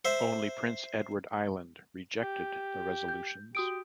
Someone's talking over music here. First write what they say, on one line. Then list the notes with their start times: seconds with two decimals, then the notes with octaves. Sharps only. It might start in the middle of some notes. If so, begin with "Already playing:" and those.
Only Prince Edward Island rejected the resolutions.
0.05 C5 E5
2.22 G4
3.08 G6
3.55 F#4 G4 D#6 D7